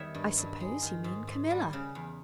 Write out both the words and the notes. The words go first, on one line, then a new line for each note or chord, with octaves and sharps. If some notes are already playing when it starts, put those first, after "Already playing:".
"I suppose you mean Camilla?"
Already playing: E2 D#3 G3 C#5 E5
G2
G2
G#3
D#3
G#2
G#2
G3
C#3
E2